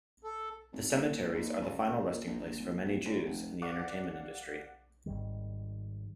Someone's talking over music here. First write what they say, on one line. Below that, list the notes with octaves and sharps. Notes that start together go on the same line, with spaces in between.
The cemeteries are the final resting place for many Jews in the entertainment industry.
A4
G#1
D#1
D#2
C#2
C#2
A#2
A#1
A#1
D#1
F#1
D2
F1
D5 F5 F#5 D6
G#1 C#2 D#3 G3